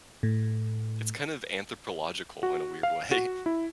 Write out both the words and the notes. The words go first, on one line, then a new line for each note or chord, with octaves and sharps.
It's kind of anthropological in a weird way.
A2
F#4
F5
F#4
E4